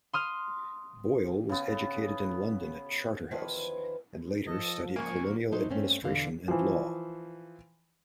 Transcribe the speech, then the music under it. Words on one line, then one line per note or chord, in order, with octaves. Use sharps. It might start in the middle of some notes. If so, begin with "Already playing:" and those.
Boyle was educated in London at Charterhouse, and later studied colonial administration and law.
C6 D#6 F6
C#3 B3
E2 D#3 F3 G#4 B4 C5
F3 A4 D#5
C#2 A#3 G#5 C#6
A2 F#3 D#4 C5
G2 A3 C4 C#4
E2 B2 D3 F5
E3 F3